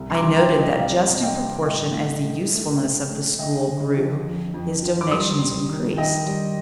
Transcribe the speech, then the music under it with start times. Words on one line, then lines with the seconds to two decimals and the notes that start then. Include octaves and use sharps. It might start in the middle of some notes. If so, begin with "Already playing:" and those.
I noted that just in proportion as the usefulness of the school grew, his donations increased.
Already playing: C2
0.10 C6
0.14 A#5 D6
0.22 C2
0.37 G5 A#5
0.51 G3
0.58 D#5 G5
0.79 C3 D5 F5
1.09 C3
1.23 D#5 G5
1.37 G3
1.66 A2 D#5 G5
1.95 A3
2.24 A3
2.53 A3
2.81 A3
3.10 A3
3.39 D3 D#5 G5
3.68 D3
3.97 F3
4.25 F2
4.54 F2
4.82 F3
5.01 D6
5.11 G3 C6 D#6
5.40 G3
5.69 D#3
5.97 D#3 D#5 G5
6.27 G3